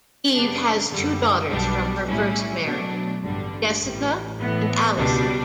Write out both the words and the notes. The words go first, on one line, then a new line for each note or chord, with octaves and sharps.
Eve has two daughters from her first marriage, Jessica and Alison.
F#2 C#3 G3 B3 D4
F#2 D3 G3
B1 B2 G3 D4
A2 G3 C#4 E4
B2 F#3 A3 D4
A1 G2 D3 G3 D4
A1 A2 G3
A2 E3 B3
C#2 B2 G3 D4